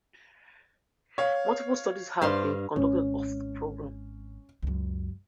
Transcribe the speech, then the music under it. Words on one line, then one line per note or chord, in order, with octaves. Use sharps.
Multiple studies have been conducted of the program.
C#5 F5
G2 D4 C5 F5 C6
G#1 C#4
C#2 F#2